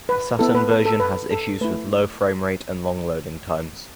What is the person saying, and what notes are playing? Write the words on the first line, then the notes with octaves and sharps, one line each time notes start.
The Saturn version has issues with low frame rate and long loading times.
B4
B3 E4 A4
B4
A4
A4
B4
A4
A3 E4 B4